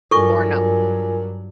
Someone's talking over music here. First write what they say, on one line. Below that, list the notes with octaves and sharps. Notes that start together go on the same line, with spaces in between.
or no?
G2 F#3 F4 A4 A#4 G#5 C#6